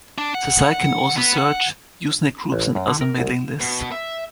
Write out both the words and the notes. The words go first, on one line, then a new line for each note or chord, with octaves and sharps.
The site can also search Usenet groups and other mailing lists.
D4
F#5
B3
F#5
A1
F#2
D3
A#4
C2
B2
E5